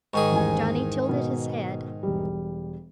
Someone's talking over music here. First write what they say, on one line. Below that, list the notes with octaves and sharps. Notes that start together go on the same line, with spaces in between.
Johnny tilted his head.
G#2 D#3 G#4 C#6
A1 E2 G#5
B2
E1 G3